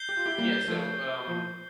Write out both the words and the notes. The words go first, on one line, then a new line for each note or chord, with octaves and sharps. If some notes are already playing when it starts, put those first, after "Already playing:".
Yeah, so, um,
Already playing: G6 C7 G7
G4
F4
E4 G4
G3 A#3
F3 A3
F3